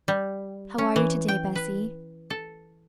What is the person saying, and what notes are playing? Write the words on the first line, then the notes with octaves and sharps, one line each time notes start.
"How are you today, Bessie?"
G3
C#4
E3
G5
B4
A4